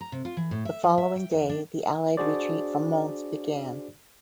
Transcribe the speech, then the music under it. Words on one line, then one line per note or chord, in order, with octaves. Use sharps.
The following day the allied Retreat from Mons began.
A#5
C3
F4
E3
A2
E5
F3
E5
G5
E2
D4
D4 F#4 G#4 C5 D5